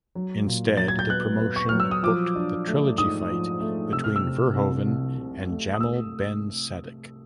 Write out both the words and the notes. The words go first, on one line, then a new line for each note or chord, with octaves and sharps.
Instead the promotion booked the trilogy fight between Verhoeven and Jamal Ben Saddik.
F#3
A#2
F#3 A6
G#6
G6
B3 F#6
B3
C#6
F#3 F6
E6
D#6
F3 D6
D4
A3
G#2 D#6
F3
A3
C3 E6
F6
E6
C3
C2
C2
C3
A3
D#6
A3 E6